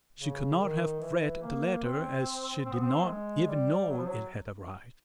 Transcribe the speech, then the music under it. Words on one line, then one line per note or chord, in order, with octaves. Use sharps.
She could not have read the letter as she did not even know it had arrived.
C#3
D#3
E3
A#3
C4
C4
B3
C4
G#3
G3
F#3
F3
F#3